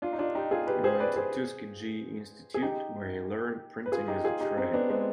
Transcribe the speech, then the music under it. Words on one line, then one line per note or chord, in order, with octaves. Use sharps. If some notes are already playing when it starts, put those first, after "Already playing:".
He went to Tuskegee Institute, where he learned printing as a trade.
D4 F4
D#4
D4 F4
D#4 G4
F4 G#4
G4 B4
G#4 C5
B4 D5
G#4 C5
G#4
D#4 G4
B4
F4 G#4
D#4 G4
F4 G#4
D#4 G4
C4 D#4
B3 D4
G#3 C4